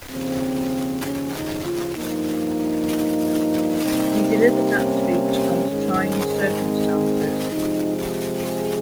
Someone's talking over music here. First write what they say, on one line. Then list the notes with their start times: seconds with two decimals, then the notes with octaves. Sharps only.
He delivered that speech under trying circumstances.
0.11 D#2 C#3 F3 C4
1.04 C#4
1.35 D#4
1.65 F4
1.96 G2 F3 A#3 D#4
3.81 C3 G3 A#3
4.74 C#4
5.67 G#2 D#3 G#3
6.59 C4
7.52 C3 F3 G#3 D#4
7.97 G4
8.44 G#4